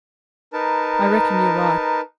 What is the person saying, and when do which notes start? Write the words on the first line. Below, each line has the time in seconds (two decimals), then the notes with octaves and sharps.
I reckon yo're right.
0.53 D#4 A#4 B4 A5